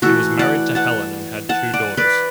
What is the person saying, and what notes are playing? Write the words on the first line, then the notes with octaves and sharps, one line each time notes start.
He was married to Helen and had two daughters.
E3 A3 F#4 A4
D5 F#5
F#5 A5
F#5 A5
D5 F#5
B4 D5